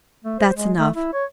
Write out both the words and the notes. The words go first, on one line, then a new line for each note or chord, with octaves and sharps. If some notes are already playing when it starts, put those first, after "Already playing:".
That's enough.
A3
C5
G#3
A3
E4
C#5